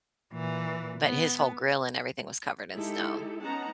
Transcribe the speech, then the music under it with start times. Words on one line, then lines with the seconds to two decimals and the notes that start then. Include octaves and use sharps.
But his whole grill and everything was covered in snow.
0.33 A#2 E3
1.04 B3
2.73 G#3 D#4 E4 G4 A4
3.43 B3 C#4 D#4 F#5 A5 A#5